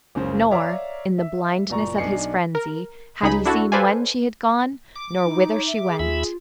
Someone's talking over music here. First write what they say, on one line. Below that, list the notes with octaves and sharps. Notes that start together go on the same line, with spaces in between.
Nor, in the blindness of his frenzy, had he seen when she had gone nor whither she went.
F#1 C#2 C#3 C5
C#5 D5 E5 F5 A#5 D6
E5
F#1 A#2 D5 A#5 C#6
B1 D4 D#4 G#5 C7 C#7
A#4
C#2 D#4 G#4 B5
D4 E4 F#4 A4
A4 B4 C5 D5 F5 G#5
D6
D#4 E4
C#5
E5
G#4
D#2 F4 E5 B5